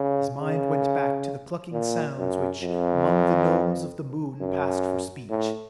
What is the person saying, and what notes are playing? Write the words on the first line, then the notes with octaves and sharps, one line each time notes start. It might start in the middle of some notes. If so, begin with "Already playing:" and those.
His mind went back to the clucking sounds which, among the Gnomes of the Moon, passed for speech.
Already playing: C#3
C#3
A#2
F#2
F2
F#2
A2